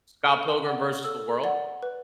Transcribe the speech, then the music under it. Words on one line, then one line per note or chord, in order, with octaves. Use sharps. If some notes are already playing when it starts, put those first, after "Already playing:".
Scott Pilgrim vs. the World.
A4
D5 F#5
A4 E6
D5 F#5
B4